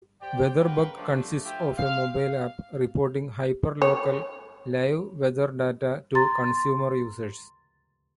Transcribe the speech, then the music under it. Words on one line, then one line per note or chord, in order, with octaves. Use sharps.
WeatherBug consists of a mobile app reporting hyperlocal live weather data to consumer users.
G4 C5 D5 G5
C#3 A#3 A#4 B4 F#5 G5
F3 A3 D4
F4 G4 E5 G5
F5
C#5
A#5 C6 A6